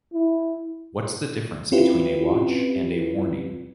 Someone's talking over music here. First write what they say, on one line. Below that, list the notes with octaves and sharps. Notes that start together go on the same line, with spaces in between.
What's the difference between a watch and a warning?
E4
C4 C#4 E4 F4 G4 B4